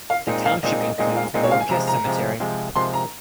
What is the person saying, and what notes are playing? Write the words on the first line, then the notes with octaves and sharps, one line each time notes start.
The township includes Mielke Cemetery.
F5
A#2 G#3 C4 D#4 D#5
F5
A#2 G#3 C4 D#4 D#5
D#5
A#2 G#3 C4 D#4 D#5
F5
A#2 G#3 C4 D#4 D#5
C#5
F5
G#5
C3 F3 G#3 A#5
A#5
C3 F3 G#3
C3 F3 G#3
C3 F3 G#3 C6
A#5